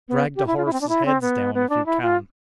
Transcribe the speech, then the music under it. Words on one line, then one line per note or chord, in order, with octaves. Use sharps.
Drag the horses' heads down, if you can!
B3
G4
E4
F4
E4
C4
D4
E4
C4
B3
B3
D4
E4
F4